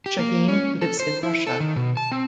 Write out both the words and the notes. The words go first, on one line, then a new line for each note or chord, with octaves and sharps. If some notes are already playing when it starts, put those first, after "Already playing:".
Shaheen lives in Russia.
G4
A#3
C#4
A4
C5
E4
A4
D#3
B2
A5
C4